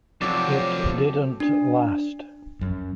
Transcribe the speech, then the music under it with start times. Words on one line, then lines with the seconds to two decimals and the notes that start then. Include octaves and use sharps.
It didn't last.
0.22 C3 F3 F#3 G4 A4 D5
1.40 D4
2.61 F#2